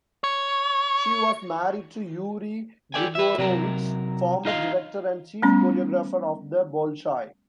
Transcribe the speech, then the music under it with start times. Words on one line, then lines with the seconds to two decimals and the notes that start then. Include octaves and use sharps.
She was married to Yuri Grigorovich, former Director and Chief choreographer of the Bolshoi.
0.24 C#5
2.94 G4 A4 C5 D5 G5 G#5
3.15 B4 E5
3.38 C3 F#3 A#4
4.45 D#4 F4 D#5 F5
5.42 G3 A3 B3 C#4